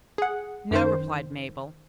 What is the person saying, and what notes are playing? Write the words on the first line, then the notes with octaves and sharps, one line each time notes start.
"No," replied Mabel.
G#4 F#5
F#2 D#3 C5